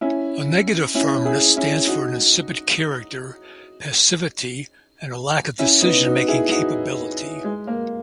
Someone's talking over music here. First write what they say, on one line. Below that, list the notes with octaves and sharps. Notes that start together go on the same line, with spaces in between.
A negative Firmness stands for an insipid character, passivity and lack of decision-making capability.
C#4 E4
C#4 E4
E4 G#4
C#4 E4
D#4 F#4
C#4 E4
B3 D#4
D#4 F#4
E4 G#4
D#4 F#4
G#3
A#3